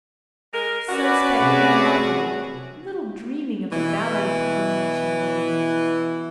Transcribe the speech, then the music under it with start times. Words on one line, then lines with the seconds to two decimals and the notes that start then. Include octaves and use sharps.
So spake Anne loftily, little dreaming of the valley of humiliation awaiting her.
0.53 G#3 A#4
0.89 C#4 F#4 B4 D5
1.40 C3 G#4
3.71 B2 E3